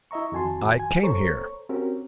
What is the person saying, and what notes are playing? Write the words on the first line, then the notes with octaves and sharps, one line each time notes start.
I came here.
E4 D#5 E5 A#5 C#6
F2 D#3 F#4 G#5 A5 C6
G#5
A4 C5 C#5 A#5 C#6
C4 C#4 F#4 G4 A#4